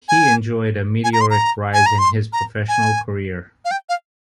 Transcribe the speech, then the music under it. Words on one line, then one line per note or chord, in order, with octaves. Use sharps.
He enjoyed a meteoric rise in his professional career.
G#5
G#5
A#5
C6
A#5
G#5
A#5
C6
A#5
G#5
F5
G5
F5